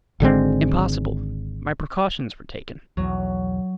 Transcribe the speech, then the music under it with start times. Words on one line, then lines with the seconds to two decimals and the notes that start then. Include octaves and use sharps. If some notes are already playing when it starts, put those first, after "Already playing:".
"Impossible; my precautions were taken."
0.20 G#1 D3 G#3 C4
2.97 B1 E2 F#3